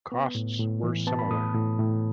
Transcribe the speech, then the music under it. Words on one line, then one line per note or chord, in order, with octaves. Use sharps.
Costs were similar.
B3
A2
A2
E3
B3 A5
B5
A2 D#6
A2
A2